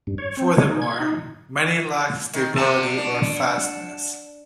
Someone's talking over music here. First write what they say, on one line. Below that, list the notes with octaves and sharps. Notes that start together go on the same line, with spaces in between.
Furthermore, many lacked stability, or fastness.
G2
C#5
C4
C#5
D#4
G#6
D#4
D#3
C3 C4 F#5 A5
D4